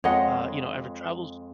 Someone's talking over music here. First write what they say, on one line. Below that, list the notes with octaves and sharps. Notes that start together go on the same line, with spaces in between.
uh, you know ever travels
F2 G#3 C#5 D#5 F#5